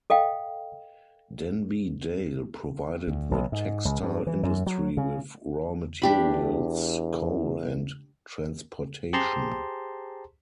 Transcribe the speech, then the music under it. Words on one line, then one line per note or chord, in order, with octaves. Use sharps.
Denby Dale provided the textile industry with raw materials, coal, and transportation.
A4 D#5 F5 G5
D2
B1
G#2
C#2
G2
E3
F#2
F#3
C#3
E2 D4 G4 B5
G4 G#4 C5 A5 A#5 C6